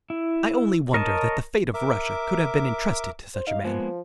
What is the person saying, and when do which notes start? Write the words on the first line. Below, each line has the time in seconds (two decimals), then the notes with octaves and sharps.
"I only wonder that the fate of Russia could have been entrusted to such a man."
0.10 E4
0.94 A#4 C#5 D#5 A5
1.74 A#4 E5 D6
3.35 C5
3.47 D#4 F5
3.64 F3 G#3 A#3 B3